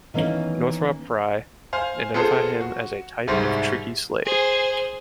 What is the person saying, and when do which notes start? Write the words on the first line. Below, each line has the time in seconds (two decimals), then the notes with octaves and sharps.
Northrop Frye identified him as a type of tricky slave.
0.14 D#3 E3 A#3 B3 C#4
1.73 C5 F5 G#5
2.14 B3 F4 G#4 A4 C5
2.60 F#4
3.27 C2 G#2 G3 C5
4.25 G#4 C5